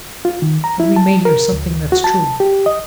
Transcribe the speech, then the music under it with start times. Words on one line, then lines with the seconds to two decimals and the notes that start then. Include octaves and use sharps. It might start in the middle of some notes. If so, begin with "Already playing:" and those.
And we may hear something that's true.
0.25 F4
0.42 D#3
0.64 A#5
0.80 E4
0.96 A5
1.25 A#4
1.52 D2
1.92 F#4
2.04 A5
2.40 G4
2.66 D#5